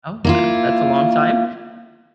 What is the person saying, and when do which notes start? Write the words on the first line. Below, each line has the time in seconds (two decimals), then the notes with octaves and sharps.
Oh, wow, that's a long time.
0.24 A#3 E4 F4